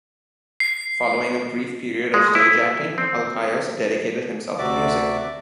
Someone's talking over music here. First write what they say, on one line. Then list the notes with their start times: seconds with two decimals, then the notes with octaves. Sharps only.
Following a brief period of stage acting, Alkaios dedicated himself to music.
0.60 C7
2.14 G#3
2.35 E4
2.98 C4
4.58 D2 C3 F#4 D5 E5 D6